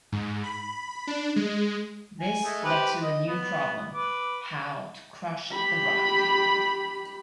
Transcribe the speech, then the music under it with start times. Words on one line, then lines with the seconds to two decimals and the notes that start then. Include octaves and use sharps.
This led to a new problem: how to crush the rock.
0.12 G#2
0.44 B5
1.07 D4
1.36 G#3
2.20 G#5
2.44 G#3 A3
2.64 G4 B4 C5
3.01 D#5
3.27 B3
3.94 B4 D6
5.51 G4 B5